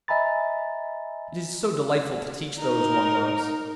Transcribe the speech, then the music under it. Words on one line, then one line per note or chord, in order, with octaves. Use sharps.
It is so delightful to teach those one loves!
D#5 E5 G#5 A#5 B5 A6
D#4 A#4